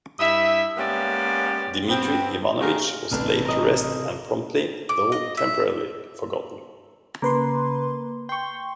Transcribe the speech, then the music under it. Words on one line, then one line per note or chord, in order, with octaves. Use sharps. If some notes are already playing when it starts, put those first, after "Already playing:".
Dmitry Ivanovich was laid to rest and promptly, though temporarily, forgotten.
G2 E4 D#5 E5
G#3 A#3 B3 C#4 G4 D5
G2 B3 C4
D#3 A3 F4 F#4 G#4 A#4
A1 C3 D4 B4 F6
A#4 D#5
D6
D#5
E5
C#3 A#3 B4 C6
G5 C6 C#6